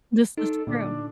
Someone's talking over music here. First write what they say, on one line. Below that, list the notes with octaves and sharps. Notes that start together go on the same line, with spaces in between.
This is true.
D#4 A4
A#2 D3 D4